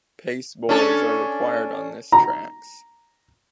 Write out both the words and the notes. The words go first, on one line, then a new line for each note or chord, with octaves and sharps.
Pace bowlers are required on this tracks.
C#4 D4 A4
A#5